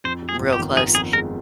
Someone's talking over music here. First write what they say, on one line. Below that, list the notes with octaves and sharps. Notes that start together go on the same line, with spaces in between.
real close,
F2 C5
F2
G#4
G1
G4
D#3
D#3 G#4
F2 G#4
G#3 A#4